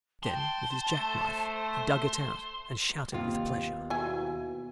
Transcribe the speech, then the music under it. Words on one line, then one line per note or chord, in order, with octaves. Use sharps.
Then with his jack-knife he dug it out and shouted with pleasure.
C5 G5 A5
A3
D#2 C3 F4
B3
B2 E4 G#5